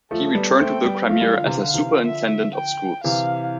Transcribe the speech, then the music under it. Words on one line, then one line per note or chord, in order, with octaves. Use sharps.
He returned to the Crimea as a superintendent of schools.
F3 A3 A4
G3 B3
A3 C4 G5
G3 B3
F3 A3 F5
E3 G3
D3 F3
C3 E3
D3 F5
C3 E3
D3 F3
E5
G5
C3 E3 F5